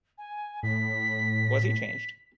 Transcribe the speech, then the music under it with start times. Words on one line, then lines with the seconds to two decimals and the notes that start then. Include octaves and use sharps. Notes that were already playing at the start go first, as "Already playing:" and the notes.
Was he changed?
0.18 G#5
0.63 A2 B6